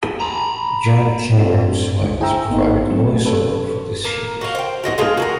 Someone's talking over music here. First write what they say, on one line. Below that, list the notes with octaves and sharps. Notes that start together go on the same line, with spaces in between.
John Cameron Swayze provided voice-over for the series.
A#5 B5
A2 C4 D4 F4 A4
C2 G#2 D3
E4 G#4 C5 G5 A#5 E6
A1 A#3 B3 D#4
D3 F#3 A3 C4
C#4 A4 B4
A#3
F#4 F5
C5 G5
F#4 D#5 E5 F#5
G#3 F4 G#4
F#4 G#4 A#4